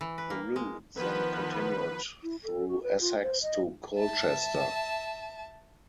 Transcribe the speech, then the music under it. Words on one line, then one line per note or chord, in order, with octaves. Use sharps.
The route then continued through Essex to Colchester.
E3
B4
A#3
G#3
D#3 F3 B3 B4
E4
A4
F#4
B4
F4
C5
D#5
E5 A5